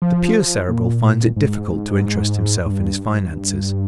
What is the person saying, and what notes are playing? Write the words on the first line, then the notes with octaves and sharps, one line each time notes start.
The pure Cerebral finds it difficult to interest himself in his finances.
F3
A#2
G#2
G#2
G2